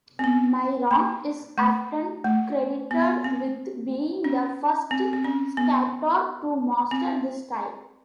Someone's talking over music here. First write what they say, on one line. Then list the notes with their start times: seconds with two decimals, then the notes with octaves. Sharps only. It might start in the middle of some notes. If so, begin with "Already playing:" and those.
Myron is often credited with being the first sculptor to master this style.
0.19 C4
0.24 B3
0.91 A#3
1.58 A3
2.24 A3
2.91 B3
3.24 C4
4.24 C#4
4.91 C4
5.13 C4
5.24 C#4
5.57 B3
6.91 C4